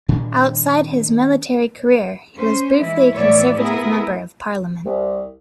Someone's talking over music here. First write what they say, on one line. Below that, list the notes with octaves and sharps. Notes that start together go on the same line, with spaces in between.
Outside his military career he was briefly a Conservative Member of Parliament.
A#2 D#3 D4
C#4 C5
E3 G#3 E4
A2 E3 B3 C#5 D5 E5
A3 B3 E4 G#4 A#4
C2